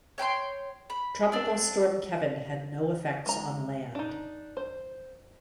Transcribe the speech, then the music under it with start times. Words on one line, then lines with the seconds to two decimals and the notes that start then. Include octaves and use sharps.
Tropical Storm Kevin had no effects on land.
0.18 C#5 G5 B5 C6
0.90 B5
1.32 C4 D4
3.26 G#3 A#5
3.95 D4 D#4
4.57 C5